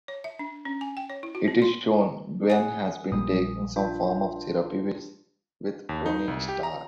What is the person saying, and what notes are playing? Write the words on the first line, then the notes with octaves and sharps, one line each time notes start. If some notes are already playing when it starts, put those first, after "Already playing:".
It is shown Gwen has been taking some form of therapy with Tony Stark.
C#5
E5
D4
C#4
G#5
G5
C#5
E4
F#4
C4
C6
G#4 F#5
A#1 G3 A#3 D#6
D4 F4
D#2
D#4
C2
G4
A#5